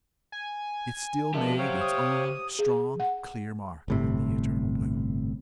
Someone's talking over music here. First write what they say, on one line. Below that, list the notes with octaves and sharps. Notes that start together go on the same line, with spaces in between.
It still made its own strong, clear mark on the eternal blue!
G#5
F3 G#3 D4 G4 A#4 E5
F#3 C5 C#5 F5 G5
D#6
G#4
F#5
G1 A2 C3